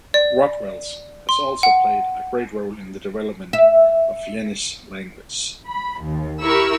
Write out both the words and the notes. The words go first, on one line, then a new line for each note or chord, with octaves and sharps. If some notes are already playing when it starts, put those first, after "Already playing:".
"Rotwelsch" has also played a great role in the development of the Yeniche language.
D5
C6
F#5
E5
B5
D#2
E4 G4 A#4 B5 C#6 E6